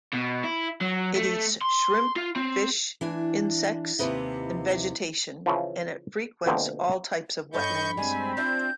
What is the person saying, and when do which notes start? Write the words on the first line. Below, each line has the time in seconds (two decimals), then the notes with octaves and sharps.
It eats shrimp, fish, insects, and vegetation, and it frequents all types of wetlands.
0.13 B2
0.44 E4
0.81 F#3
1.15 A3
1.61 C6
2.16 F4
2.36 C4
3.01 E3 D4 G#5
3.99 D#2 C3 E4 B4 D#5
5.46 C#3 E3 F3
6.46 D2 B2 F3 G#3 A#3 C4
7.54 G2 A4 C#5 D#5 B5 C#6 G6
7.97 G2 G3 G#3 C4 G#5
8.37 D4 F4 E5 G6